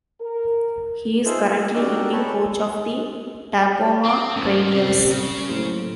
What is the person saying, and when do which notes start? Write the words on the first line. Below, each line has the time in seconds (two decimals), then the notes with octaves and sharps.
He is currently hitting coach of the Tacoma Rainiers.
0.20 A#4
1.25 D#4 F4 G#4 A4 C5 E5
1.47 A#3
1.73 D4 D#4 F#4 G4 A4 A#4
2.12 G#4 A4 B4 C#5 A5
4.05 C4
4.36 G#2 F3 C#4 A#4 C5
4.73 C3 A4 F5
5.11 C#3
5.49 A2 F#3 A#3 C5